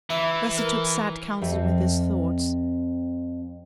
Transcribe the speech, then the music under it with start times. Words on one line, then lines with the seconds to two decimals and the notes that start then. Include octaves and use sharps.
Thus he took sad council with his thoughts.
0.10 E3 E4
0.58 A#4
1.42 F2 C4 G4 E5